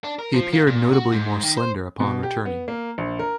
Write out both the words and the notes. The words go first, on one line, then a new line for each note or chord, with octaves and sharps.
He appeared notably more slender upon returning.
D4
A#4
F3
A#3
A#2
F#4
G#2
D#3
C5
B2
G4
B3
A#3
A#1
A#4